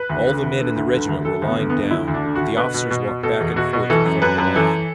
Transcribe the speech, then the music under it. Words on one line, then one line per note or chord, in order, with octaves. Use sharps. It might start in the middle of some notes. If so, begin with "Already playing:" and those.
All the men in the regiment were lying down, but the officers walked back and forth in front of the line.
Already playing: B4
D2
D3
D2
D3
D2
D3
D2
D2 A4
D2
B3
D3
B3
D2
D3 E4
D2
D4
D3
F#4
D3
B2 B4
B2
B2
B2
B2 A4
E2
B2 F#4
B2
E3 A4
F#2
F#2 B4
F#2
E3 A4